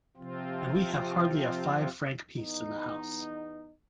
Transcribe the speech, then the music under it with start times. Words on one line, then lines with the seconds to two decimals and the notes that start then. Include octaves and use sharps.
And we have hardly a five-franc piece in the house.
0.17 C3 F3 C4 F4
2.37 E2 B3 D#4